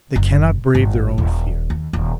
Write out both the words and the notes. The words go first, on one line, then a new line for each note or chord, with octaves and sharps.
They cannot brave their own fear.
F#1
G1
D#1
D#2
D#1